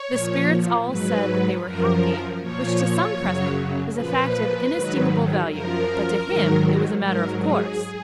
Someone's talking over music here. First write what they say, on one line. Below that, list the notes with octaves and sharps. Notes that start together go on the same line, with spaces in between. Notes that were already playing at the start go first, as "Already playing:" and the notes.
The spirits all said that they were happy, which to some present was a fact of inestimable value, but to him it was a matter of course.
Already playing: C#5
A#2 F3
G#2 F#3 B4
F#2 F3 A#4
A#2 F3 C#5
F#2 C#3 F#3
A#2 F3 B4
G#2 D#3 F#3
F#2 F3 A#4
G#2 D#3 F#3
G#2 F#3 A#4
G#4